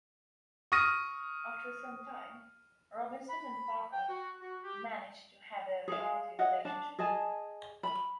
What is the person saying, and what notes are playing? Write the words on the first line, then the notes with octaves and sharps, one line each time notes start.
After some time, Robinson and Parker managed to have a hearty relationship.
C#6 D#6 F6 A#6 D#7
B5
G5
F#4
F#4
G4
G#4 F5
G#4 D#5 F5 F#5
D4 A5
G#4 D#5 G#5 A5
B5